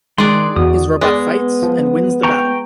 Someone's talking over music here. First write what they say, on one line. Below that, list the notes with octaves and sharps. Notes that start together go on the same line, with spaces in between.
His robot fights and wins the battle.
D#3 G#3 G#4 D5 C6 F#6
E2 F#4 D#6
G#3 B3 B4 D5
F3
G5 A#5 C#6